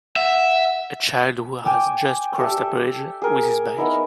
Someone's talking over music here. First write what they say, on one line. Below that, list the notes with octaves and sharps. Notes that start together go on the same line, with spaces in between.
A child who has just crossed a bridge with his bike.
E5 F#5
G5 G#5 D6 E6
G4 A4 E5 A5
G#4 A#4
B3 D#4 E4 A#4